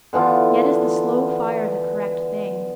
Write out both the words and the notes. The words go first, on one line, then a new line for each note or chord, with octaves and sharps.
Yet is the slow fire the correct thing.
D3 E3 B3 F4